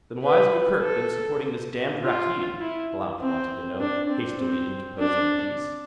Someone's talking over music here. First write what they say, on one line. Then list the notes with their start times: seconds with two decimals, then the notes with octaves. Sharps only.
"Then why's Gurgurk been supporting this damned Rakkeed?" Blount wanted to know, hastily interposing a piece.
0.22 B4
0.82 A4
2.02 F4
2.60 E4
3.19 C4
3.80 D4
4.09 C4
4.39 C4
4.99 D4